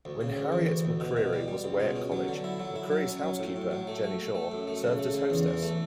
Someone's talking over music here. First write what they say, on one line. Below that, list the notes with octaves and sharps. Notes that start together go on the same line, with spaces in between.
When Harriet McCreary was away at college, McCreary's housekeeper, Jennie Shaw, served as hostess.
D2
C#3
D2
E3
D2
D2
B2
B2
G3
G3
C#2
B2
C#4
F#3
D3
E4
F#3
E4
F#3
C#4
F#3
A2
A2
F#3
A3
A3
A3
A3
F#2
A3
C#3
A3
C#3
E2
E3
A3